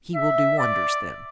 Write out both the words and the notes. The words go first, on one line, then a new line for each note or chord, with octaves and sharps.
"He will do wonders then."
E5
D5